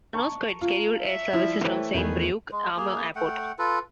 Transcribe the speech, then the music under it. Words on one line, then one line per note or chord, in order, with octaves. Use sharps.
There are no scheduled air services from Saint-Brieuc - Armor Airport.
A5 A#5 C#6
F4
E5
F3 G3 E4
E3 A3 C5 C#5 G5
E2 D#3 A3 G#4 B4
G#3
A#3 G#4
A3 F#5 G5
F4 A4 B4